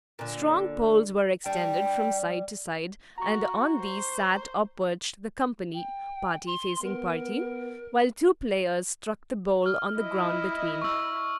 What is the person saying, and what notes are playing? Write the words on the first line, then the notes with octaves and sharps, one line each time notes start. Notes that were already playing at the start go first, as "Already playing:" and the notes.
Strong poles were extended from side to side, and on these sat or perched the company, party facing party, while two players struck the bowl on the ground between.
A#2 D3
G3 D4 G5
F#4 A#5 C#6
C5
G5
C6
B3 A#4
F6
E4 D#5
C#6 E6